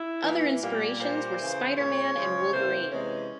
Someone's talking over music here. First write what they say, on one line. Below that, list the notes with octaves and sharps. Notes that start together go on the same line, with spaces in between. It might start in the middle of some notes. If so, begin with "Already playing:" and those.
Other inspirations were Spider-Man and Wolverine.
Already playing: E4
E3 A#3
A#2 G3 A#3
A#2 G3 A#3 C5
C#3 E3 A#3
A#2 G#3 C#5
C#3 F3 G#3
C3 E3 A#3 C5
C3 E3 G#3 C#4